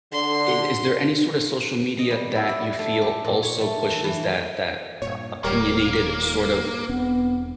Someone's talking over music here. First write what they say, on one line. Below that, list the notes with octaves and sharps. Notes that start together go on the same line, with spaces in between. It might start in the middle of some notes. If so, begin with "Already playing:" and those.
i is there any sort of social media that you feel also pushes that that, uh, opinionated sort of,
D3 C6
D#5
G3
E4
D5
A3
G4
A#2
C#5
A3
E3
E3
G2 A#2 C#5
D#1 G3 A#3 A#4 C#5
E1 B3 C4 D4